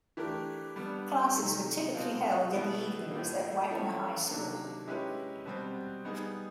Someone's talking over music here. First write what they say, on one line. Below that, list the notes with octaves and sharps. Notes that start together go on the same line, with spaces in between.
Classes were typically held in the evenings at Wagner High School.
E3 A3 D4 G4 A#4
G3 B3 D4
C3 D#3 F#3 A3
B2 G#3 C4 F4
B2 G3 B3 E4
A2 F3 A#3
F3 A3 C#4 E4 A4
C3 D#3 F#3 A#3 D4
G#3 C#4 E4 G4 B4
B2 G3 C4
G3 B3 D#4 G#4